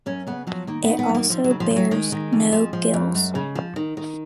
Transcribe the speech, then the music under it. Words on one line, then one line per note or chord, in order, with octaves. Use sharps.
It also bears no gills.
F#2 C#4
C#3 B3
F3 F#3
D#3 A#3
D#3 B3
B3
F#2
A#3
D#2 F3
F#3
C#3
F3
F3
F#3
D#3 G#3
D#3
F2
F3
F3
F2
F#2
C#3
F3
D#3
D#3